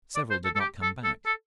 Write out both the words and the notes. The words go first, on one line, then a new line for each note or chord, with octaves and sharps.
Several did not come back....
D5
C5
A4
A4
G4
A4
A4
A4